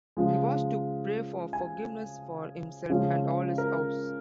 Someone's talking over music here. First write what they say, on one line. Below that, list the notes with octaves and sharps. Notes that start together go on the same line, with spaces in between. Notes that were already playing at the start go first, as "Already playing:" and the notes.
He was to pray for forgiveness for himself and all his house.
C#3 F3 G#3
G#5
C#3 F3 G#3 C#4
A#4